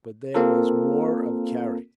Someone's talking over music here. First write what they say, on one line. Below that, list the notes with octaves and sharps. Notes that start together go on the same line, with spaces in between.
But there was more of character.
A#3 C4 F4 A4 A#4